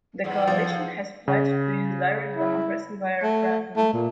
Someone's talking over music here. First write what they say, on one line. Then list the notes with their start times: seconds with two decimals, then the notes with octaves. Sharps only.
The coalition has pledged to use direct democracy via referendum.
0.24 E2 G#2 C3
0.47 F3
1.28 C#3
2.37 E4
3.23 A3
3.77 A3
3.93 A#2